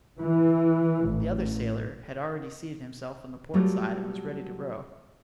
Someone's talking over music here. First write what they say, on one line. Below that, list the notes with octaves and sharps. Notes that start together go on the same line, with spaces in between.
The other sailor had already seated himself on the port side and was ready to row.
E3
A1
F#3 G3 A3 F4